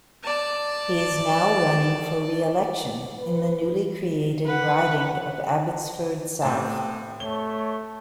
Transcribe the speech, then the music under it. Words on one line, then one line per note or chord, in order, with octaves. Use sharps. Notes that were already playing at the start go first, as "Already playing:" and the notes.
He is now running for re-election in the newly created riding of Abbotsford South.
D5 A5
B4
B4 F#5
A2 B3 C4 G4 A5
A3 C#5 G7